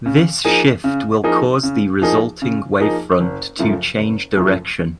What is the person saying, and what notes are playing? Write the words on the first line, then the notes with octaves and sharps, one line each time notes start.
This shift will cause the resulting wavefront to change direction.
C#3
F3 A#3 D#4 G#4
C#3
F3 A#3 D#4 G#4
C#3
F3 A#3 D#4 G#4
C#3
F3 A#3 D#4 G#4
F#1
F#2 C#3 F3 A3
F#1
F#2 C#3 F3 A3